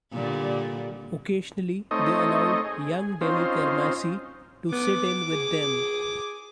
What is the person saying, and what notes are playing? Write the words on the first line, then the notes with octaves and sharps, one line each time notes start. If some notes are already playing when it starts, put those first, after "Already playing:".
Occasionally they allowed young Denny Carmassi to sit in with them.
A#2 D3 G3
A3 C4 D#4 C#5 D#5
G#4
C4 C#4 D#4 F4 C5
B3 D6
G#4